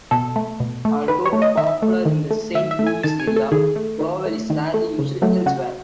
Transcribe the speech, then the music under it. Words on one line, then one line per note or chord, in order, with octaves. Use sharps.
Although popular in the Saint Louis area, Provel is rarely used elsewhere.
B2 A4
A3
B2
A3
D#3 B4
C#5
A3
D#5
D#3 E5
A3
D#3
A3
D#3 E5
E5
A3
G#5
D#3 A5
G#5
A3
A4
D#3 G#4
A3
D#3
A3
D#3
A3
C#3
F#3 A3
C#3 F#4